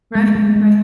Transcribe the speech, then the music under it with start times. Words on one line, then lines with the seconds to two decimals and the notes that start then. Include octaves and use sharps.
Right, right.
0.15 G#3
0.35 G#3
0.56 G#3